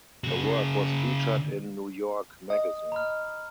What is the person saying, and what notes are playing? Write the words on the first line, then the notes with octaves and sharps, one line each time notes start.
Her work was featured in "New York" magazine.
C#3 F#4
D#5
A#5 B5 F6